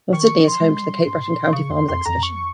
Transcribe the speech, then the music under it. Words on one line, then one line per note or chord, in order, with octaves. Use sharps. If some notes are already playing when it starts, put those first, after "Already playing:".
North Sydney is home to the Cape Breton County Farmer's Exhibition.
D#3 C#6
F3
C6
G#3
G3
G#2
A#2
C#3 C#6
F2 C6
F2 C6
F2 A#5
C#6